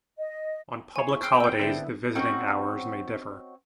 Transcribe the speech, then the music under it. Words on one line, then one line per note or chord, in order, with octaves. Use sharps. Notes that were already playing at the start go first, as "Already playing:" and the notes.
On public holidays the visiting hours may differ.
D#5
C5 C#5 G#5
E4 C#6
G5 E6 F6 C7
A#4 C5 E6 G6
D3 B3 C4 D4 E4 A4
C4 C#4 D#4 F#4